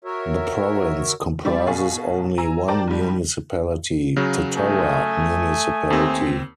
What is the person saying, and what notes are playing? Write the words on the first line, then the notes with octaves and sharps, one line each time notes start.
The province comprises only one municipality, Totora Municipality.
F#4 A#4 C#5 E5
G3 C4 D5 A6
B2 G#4 F5 C#6
G#5 A#5 E6
A#4 C5 D5 G5 A5 A#5
D#2 G3
C#3 F#3
A3 G#5 D#6
D#2 C4